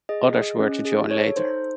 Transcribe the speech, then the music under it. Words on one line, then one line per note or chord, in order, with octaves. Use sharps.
Others were to join later.
G#4 D#5
G#4
C#4
G#4
A4 C#5
D#4 C5